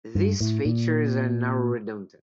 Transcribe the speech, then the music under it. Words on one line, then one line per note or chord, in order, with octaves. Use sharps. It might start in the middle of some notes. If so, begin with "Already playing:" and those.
These features are now redundant.
G2
A2
A#2